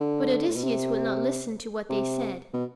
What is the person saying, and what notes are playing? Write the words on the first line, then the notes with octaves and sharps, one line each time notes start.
But Odysseus would not listen to what they said.
D3
A2
B2
C3
C3
B2